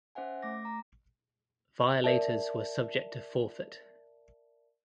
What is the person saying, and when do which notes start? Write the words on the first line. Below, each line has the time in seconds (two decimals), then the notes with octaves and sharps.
Violators were subject to forfeit.
0.15 C#4 C5 E5 F#5 G#5
0.42 A3 D6 A#6
0.65 A#5
2.04 A#4 D5 E5 A5